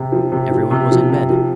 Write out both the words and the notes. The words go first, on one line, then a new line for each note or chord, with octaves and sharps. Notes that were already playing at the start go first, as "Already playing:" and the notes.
Everyone was in bed.
Already playing: C3
F3
C3
F3
C3
F3
C3
F3